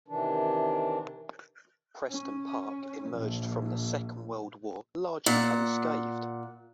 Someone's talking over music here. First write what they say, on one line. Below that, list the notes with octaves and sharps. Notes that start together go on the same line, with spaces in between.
Prenton Park emerged from the Second World War largely unscathed.
C3 D#3 E3 D4
C#4
A#1
A#2 F#5